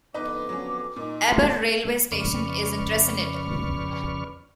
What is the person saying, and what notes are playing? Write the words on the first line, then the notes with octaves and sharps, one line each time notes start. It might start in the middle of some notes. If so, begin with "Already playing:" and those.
Aber railway station is in Trecenydd.
F2 D3 B3 D#4 B4 D6
F#3 C#4
A#2 D#4
A3 F4 C6
F2 C#3 B4 D5 C#6 F6